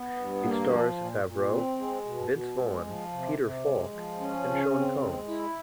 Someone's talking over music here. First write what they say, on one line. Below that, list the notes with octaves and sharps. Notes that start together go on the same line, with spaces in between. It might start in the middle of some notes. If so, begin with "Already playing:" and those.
It stars Favreau, Vince Vaughn, Peter Falk, and Sean Combs.
Already playing: B3
G2
A#3
F3
A#2
A#2
C4
G#3
B2
B2
G#3
F3
C3
C3
G#3
F3
C#4
C#3
C4
G#3
E4